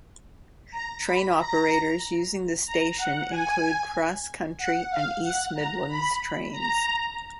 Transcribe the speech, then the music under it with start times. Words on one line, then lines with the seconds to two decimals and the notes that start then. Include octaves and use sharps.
Train operators using the station include CrossCountry and East Midlands Trains.
0.71 A#5
1.03 B5
1.36 A#5
2.65 A#5
2.97 F#5
3.29 G#5
4.58 F#5
4.90 F5
5.22 F#5
5.54 A#5
5.87 B5
6.52 A#5